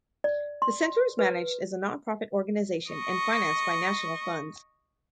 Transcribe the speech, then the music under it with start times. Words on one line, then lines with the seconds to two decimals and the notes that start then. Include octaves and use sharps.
The center is managed as a non-profit organization, and financed by national funds.
0.24 D5
0.62 C6
1.19 B4
2.91 D#5 C#6